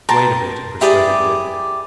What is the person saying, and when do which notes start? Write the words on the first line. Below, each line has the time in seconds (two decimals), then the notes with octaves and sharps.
"Wait a bit," persuaded Dick.
0.09 A#4 G5 A5 C6
0.81 E4 G4 G#4 D5